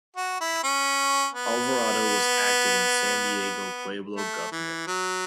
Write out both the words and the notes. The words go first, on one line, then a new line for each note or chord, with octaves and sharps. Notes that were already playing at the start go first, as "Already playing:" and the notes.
Alvarado was active in San Diego Pueblo government.
F#4
E4
C#4
B3
A3
E3
F#3